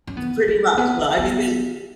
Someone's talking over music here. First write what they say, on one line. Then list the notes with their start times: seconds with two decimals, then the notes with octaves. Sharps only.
M pretty much. Well, I mean they
0.07 C#4
0.17 B3
0.48 C#4
0.74 A3
0.77 B3
0.98 C#4
1.18 B3